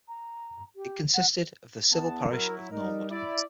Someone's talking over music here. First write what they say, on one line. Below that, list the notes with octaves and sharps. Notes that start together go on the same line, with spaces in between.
It consisted of the civil parish of Norwood.
A#5
G4
F#5
E2 B3 A5
F#3 E4 A#4
G3 D#4 A#4
E4 D5